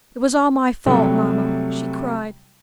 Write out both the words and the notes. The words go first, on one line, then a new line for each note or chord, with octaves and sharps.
"It was all my fault, Mamma!" she cried.
C3 F#3 G3 A3